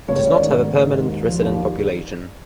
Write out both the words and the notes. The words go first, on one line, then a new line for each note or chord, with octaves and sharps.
It does not have a permanent resident population.
C#2 C#5
D#3 D5
G#2
G#2
D#3
D#2
F3
D#2